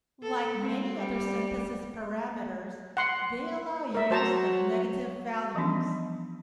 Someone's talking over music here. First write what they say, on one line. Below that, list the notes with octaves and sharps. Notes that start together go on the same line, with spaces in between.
Like many other synthesis parameters, they allow use of negative values.
A4
C4
G3
F#5 C6
A#4 E5
F#3 C5 A5 A#5
E3 F3 G3 B3 C#4 D4